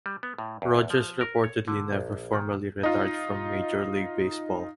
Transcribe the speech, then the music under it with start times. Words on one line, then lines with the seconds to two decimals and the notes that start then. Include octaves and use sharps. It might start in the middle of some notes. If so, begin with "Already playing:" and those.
Rogers reportedly never formally retired from Major League Baseball.
0.06 G3
0.23 B3
0.38 A2
0.62 E2
0.90 F3
1.21 A#4
1.44 C#5
1.68 D3
1.93 A#1
2.33 D#3
2.83 D#4 F4